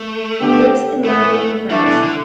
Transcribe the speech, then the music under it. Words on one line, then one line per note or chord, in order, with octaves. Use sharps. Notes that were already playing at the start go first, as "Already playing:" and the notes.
He lives in London and France.
Already playing: A3
D3 B3 D4 G4
A2 E3 A3 B3
E3 G3 A3 D4
B2
D3